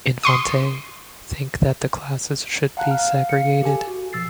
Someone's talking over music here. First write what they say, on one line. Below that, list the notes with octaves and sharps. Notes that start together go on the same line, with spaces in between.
Infante, think that the classes should be segregated.
C6 C#6 D#6
F5 F#5 A5 A#5 F#6
F5 F6
F5 C#7
G4 A4 G#5
F#4
B2 F3 E6 A6 C7